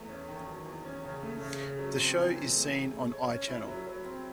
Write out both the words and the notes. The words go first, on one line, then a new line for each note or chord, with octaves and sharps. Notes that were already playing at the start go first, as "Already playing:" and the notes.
The show is seen on iChannel.
Already playing: E2 A3
C#4
D#3
F#3
E2
C#4
C#3
A3
C#3
C#3
F#3
C4
E3
E3
A3
G#4
A3
C#5
C#4
E4
F#3
F#3
C4